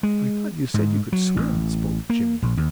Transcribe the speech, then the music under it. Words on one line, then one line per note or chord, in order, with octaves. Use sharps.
"I thought you said you could swim," spoke Jimmie.
G#3
G#2
F#3
A1
A#3
A#1
D#2